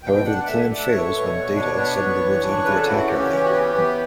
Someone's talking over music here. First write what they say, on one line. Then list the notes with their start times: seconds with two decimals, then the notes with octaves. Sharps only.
However the plan fails when Data suddenly moves out of the attack area.
0.03 B2 G5
0.25 D4 F#5
0.46 A3 E5
0.68 D4
0.79 E5
0.90 A3 C#5
1.12 B2
1.34 B2
1.55 D4
1.77 B3
1.99 B3
2.21 E3
2.42 D4
2.64 C#3 B4
2.75 A4
2.86 E3 F#4
2.96 F#4
3.07 C#4 G4
3.29 E3
3.44 F#4
3.51 B3 G4
3.72 B3